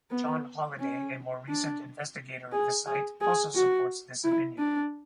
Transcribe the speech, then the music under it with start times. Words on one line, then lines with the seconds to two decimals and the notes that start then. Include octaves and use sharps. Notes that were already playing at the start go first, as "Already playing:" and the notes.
John Holladay, a more recent investigator of the site, also supports this opinion.
0.11 B3
0.80 C#4
1.49 D4
2.52 G#4
2.86 G#4
3.21 G#4
3.55 F#4
4.24 E4
4.58 D4